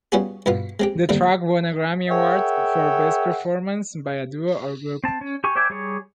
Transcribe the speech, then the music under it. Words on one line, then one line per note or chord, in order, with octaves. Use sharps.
The track won a Grammy Award for 'Best Performance by a Duo or Group'.
G3 B3 C#4 F4 F#4 G#4
G2 B2 B3 F4
G#3 C4 G4
D#2 D3 G3 C4
G#4 A#4 C#5 E5 F#5 G5
C4 A5
C#4
G4 G#5 C#6
C5 D5 E5 G5 G#5
G3 G#4 C#5